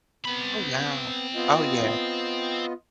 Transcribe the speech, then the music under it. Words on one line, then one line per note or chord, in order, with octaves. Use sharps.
Oh, wow. Oh, yeah.
B3 C4 B5
B3 F4 D#5